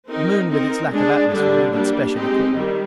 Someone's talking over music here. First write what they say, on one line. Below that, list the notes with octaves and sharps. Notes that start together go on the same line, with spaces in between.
The Moon, with its lack of atmosphere, needed special equipment.
C4 D#4 A#4
C4 D#4 A#4
G#3 D4 G#4
D3 G3 D4
G3 A#3 D4
G#3 C4 D#4 G4
D#3 G3